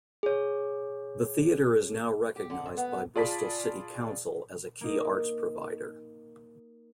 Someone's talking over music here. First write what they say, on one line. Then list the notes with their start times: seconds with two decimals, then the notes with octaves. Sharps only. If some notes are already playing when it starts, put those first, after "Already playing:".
The theatre is now recognised by Bristol City Council as a key arts provider.
0.23 G#4 C#5
2.36 G4
2.50 D3
2.66 F2
2.77 B3
3.16 F4 G#4 D5 A5 B5 B6
4.81 A#3 D#4